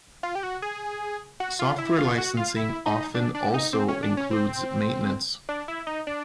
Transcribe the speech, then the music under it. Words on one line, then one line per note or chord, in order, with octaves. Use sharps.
Software licensing often also includes maintenance.
F4
G4
F#4
G#4
F#4
F4
E4
F4
F#4
F4
E4
D#4
D4
D4
D#4
C4
C#4
D4
C#4
C4
D4
E4
D#4
D4